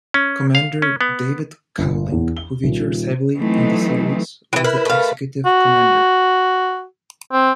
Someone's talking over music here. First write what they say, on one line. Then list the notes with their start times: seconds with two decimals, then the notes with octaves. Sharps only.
Commander David Cowling, who features heavily in the series, was the executive commander.
0.14 C#4
0.55 F5
0.82 C#4
1.01 B3
1.78 G1
2.12 E2
2.37 G7
2.64 D#1
3.37 E3 F#3 A3 C4 D#4
4.53 E3 F#3 E4 G5
4.64 E4 A#4 B4 B5
4.85 A3 F5
5.46 F#4
7.32 C4